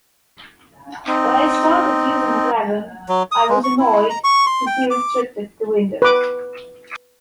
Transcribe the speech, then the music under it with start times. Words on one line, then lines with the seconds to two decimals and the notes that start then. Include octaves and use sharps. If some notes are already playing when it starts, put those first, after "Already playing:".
When I started using Dragon, I was annoyed to be restricted to Windows.
1.08 C4 D#4
3.09 F#3
3.32 D#6
3.49 G#3
3.64 C#6
3.79 E4
4.10 A#5
4.24 C#6
4.46 C6
4.66 G5
4.91 D6
6.02 B4 D6